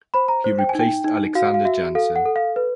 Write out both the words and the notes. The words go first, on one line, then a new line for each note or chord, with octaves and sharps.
He replaced Aleksander Janson.
C5 B5
A#5
C5
G5
G#5
D#4 G5
D#4
F#4 F5
F5
F#4 E5
A4 F5
F#5
A4
F5
B4